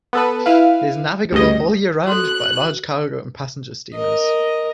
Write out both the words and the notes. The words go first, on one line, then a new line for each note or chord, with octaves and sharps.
It is navigable all year round by large cargo and passenger steamers.
B3 A4 B4
E4 B4 F5
D2 G2 C#3 D#5
F#4 A4 F#6
A#4 D#5